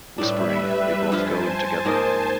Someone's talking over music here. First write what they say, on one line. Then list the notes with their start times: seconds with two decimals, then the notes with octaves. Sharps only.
Whispering, they both go in together.
0.18 A2 G3 D4 B4 E5
1.12 G2 F3 F4 C5 G#5 A5
1.85 G#2 A#3 D#5